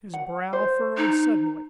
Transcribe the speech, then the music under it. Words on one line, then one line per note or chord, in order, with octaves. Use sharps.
His brows furrowed suddenly.
F#5
C5
D#4